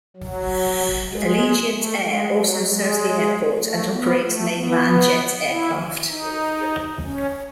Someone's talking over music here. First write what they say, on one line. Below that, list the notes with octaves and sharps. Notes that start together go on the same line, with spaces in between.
Allegiant Air also serves the airport and operates mainline jet aircraft.
F#3
G#3
A3
G#3
F#3
G#3
A3
B3
A3
B3
E4
D#4
C#4